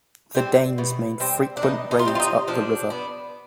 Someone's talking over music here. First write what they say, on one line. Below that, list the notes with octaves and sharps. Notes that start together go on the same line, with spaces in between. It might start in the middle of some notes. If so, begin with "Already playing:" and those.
The Danes made frequent raids up the river.
G3 C4
B2
G3 C4
D4
B2 D#4
D#4
F4
G3 C4 D#4
F4
D#4
F3 D4
B3 D4